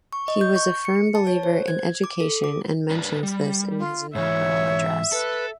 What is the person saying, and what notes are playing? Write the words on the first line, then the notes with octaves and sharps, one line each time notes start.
He was a firm believer in education and mentions this in his inaugural address.
C#6
D#5
G6
C#6
C#7
A5
C#5
C5
G#6
D6
A4
D6
D4 A#4 B4
G3
F4
G#2 E3 C#5 E5
A4 B4